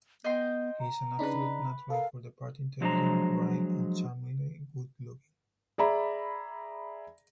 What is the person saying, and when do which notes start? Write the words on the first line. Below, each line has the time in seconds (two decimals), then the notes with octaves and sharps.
He's an absolute natural for the part-intelligent, wry, and charmingly good looking.
0.24 B3 D#5 G5 C6
0.80 A#5
1.19 C#3 D4 D#4 B4 B5
1.90 A4 A#4 F5
2.81 F3 F#3 G#3 D4 C5 A#5
5.78 G#4 D5 E5 A#5 B5